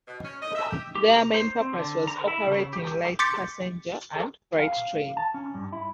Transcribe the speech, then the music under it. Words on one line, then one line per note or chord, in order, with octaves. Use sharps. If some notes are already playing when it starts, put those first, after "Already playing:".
Their main purpose was operating light passenger and freight trains.
B2
C#4
D#5
E5
G4
G4
A#5
C5
C4
D3
A#5
E4
C#3
G4
C6 D6 G6 A6 B6 C#7
F5
A5
C#4
G2
E4